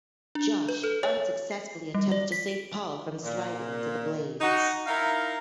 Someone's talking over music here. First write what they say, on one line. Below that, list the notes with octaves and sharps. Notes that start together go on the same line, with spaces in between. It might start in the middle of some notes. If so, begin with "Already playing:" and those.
Josh unsuccessfully attempts to save Paul from sliding into the blades.
D4
B4
A4
C#5
C7
G3
D5
B6
D7
A#2
D#4 F#4
D#4 E4 A#4 F5